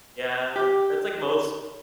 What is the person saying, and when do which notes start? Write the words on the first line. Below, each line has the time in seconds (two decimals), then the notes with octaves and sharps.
Yeah, that's like most
0.56 G4